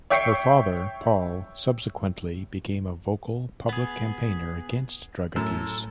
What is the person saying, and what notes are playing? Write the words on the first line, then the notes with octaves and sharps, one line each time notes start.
Her father, Paul, subsequently became a vocal public campaigner against drug abuse.
C#5 E5 G5 C#6 C7 C#7
B3 G#4
F#2 A2 A4